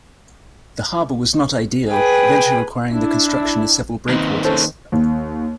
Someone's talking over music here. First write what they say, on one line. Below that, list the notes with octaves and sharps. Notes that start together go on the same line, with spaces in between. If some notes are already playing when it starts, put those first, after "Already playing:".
The harbour was not ideal, eventually requiring the construction of several breakwaters.
G#4 B4 G5
D4 E4
D#3 A#3 C4 D#4 B4
C#4 A4 C5
D#2